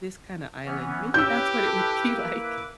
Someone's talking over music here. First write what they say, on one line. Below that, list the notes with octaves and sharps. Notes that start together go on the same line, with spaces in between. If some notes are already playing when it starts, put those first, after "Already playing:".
this kinda island, maybe that's what it would be like.
E3 B3 C#4
C#4 E4 G4 B4 D6 E6 G6
A4
A#3